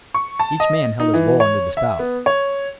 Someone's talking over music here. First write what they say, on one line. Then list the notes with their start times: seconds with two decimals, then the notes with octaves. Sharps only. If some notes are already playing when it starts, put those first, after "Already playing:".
Each man held his bowl under the spout.
0.14 C#6
0.39 A5
0.60 D#5
1.00 D#4
1.14 E3
1.40 C#5
1.77 E5
1.99 B3
2.26 C#5